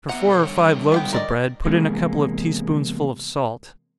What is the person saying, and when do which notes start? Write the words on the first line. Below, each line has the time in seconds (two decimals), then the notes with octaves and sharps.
For four or five loaves of bread, put in a couple of tea-spoonsful of salt.
0.09 B3 E5 F#5 A#5
0.27 B2 A4 C5
0.43 D3 G3 C#5
0.92 B3 F5 G5
1.13 A#4 D5 D#5
1.65 E2 C3 G#3 A#3